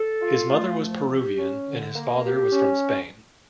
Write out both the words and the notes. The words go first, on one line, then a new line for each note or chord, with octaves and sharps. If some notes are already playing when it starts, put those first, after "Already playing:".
His mother was Peruvian and his father was from Spain.
Already playing: A4
F4
A3
F3
G4
C#4
D3
A#3
G4
C#4